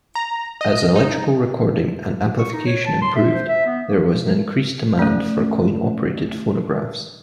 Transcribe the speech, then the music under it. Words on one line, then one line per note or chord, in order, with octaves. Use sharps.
As electrical recording and amplification improved there was increased demand for coin-operated phonographs.
A#5
D#5
D#4
C#6
D#4
C#5
A5
C6
E5
C5
E5
B3
A#3
A3 C#4